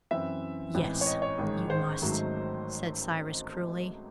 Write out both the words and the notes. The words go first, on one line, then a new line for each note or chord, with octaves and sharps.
"Yes, you must," said Cyrus cruelly.
F#2 E3 C4 E4 E5
A1 G#2 E3 C4 E4
C#5
D#5
C#5
A1 G#2 D#3 G#3
C5
G#1 G#2 D#3 F#3 A3